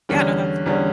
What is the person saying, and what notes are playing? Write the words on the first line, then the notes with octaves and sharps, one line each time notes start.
Yeah. No, that's true.
E2 D3 G3 C#4
E2 D3 G3 C#4